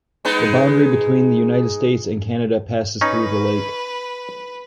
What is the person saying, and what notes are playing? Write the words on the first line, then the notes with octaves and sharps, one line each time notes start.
The boundary between the United States and Canada passes through the lake.
G#3 B3 D#4
C#4 D#4 B4